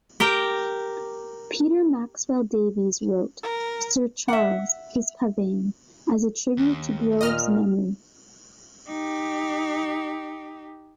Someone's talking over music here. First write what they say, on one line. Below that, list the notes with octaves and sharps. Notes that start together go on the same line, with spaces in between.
Peter Maxwell Davies wrote "Sir Charles: his Pavane" as a tribute to Groves's memory.
G4 A#4 G5
A#4
E5 F#5
D#2
A#2 D#5 F6
D#4 G4